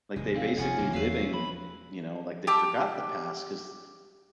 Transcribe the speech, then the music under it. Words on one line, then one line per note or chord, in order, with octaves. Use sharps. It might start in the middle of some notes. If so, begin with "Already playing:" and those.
like, they basically living, you know, like, they forgot the past 'cause
F1 D#2 A2 G#3
C4 F5
F1 F2 G#2 C#4 F4 G#4 F#5 G#5
E1 D3 F3 A#3
E2 A#3 B4 E5 F5
F3 B5
G4 A5 D6 E6